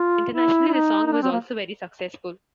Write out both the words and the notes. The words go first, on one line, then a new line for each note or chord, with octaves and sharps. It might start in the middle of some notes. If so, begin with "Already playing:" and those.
Internationally, the song was also very successful.
Already playing: F4
E4
E4
D#4
D#4
D4
C4
A#3